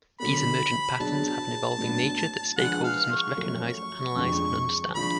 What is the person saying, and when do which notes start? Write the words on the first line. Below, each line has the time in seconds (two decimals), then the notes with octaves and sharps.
These emergent patterns have an evolving nature that stakeholders must recognize, analyze and understand.
0.20 D3 F#3 B3 B5
0.99 C#3 F#3 B3 D4 A5
1.78 A2 F#3 B3 D4
2.58 F3 G#3 D4 G#4 B4 F#5
2.84 F5
3.10 C#6
3.37 F#2 F3 A3 C#4 F#4
4.16 F2 C#3 F3 G#3 D4
4.96 F3 G#3 D4 F4 B5